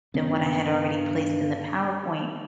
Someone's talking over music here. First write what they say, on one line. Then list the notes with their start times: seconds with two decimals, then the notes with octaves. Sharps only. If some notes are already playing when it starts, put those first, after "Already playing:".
than what I had already placed in the PowerPoint,
0.14 G2 C#3 B3 C#4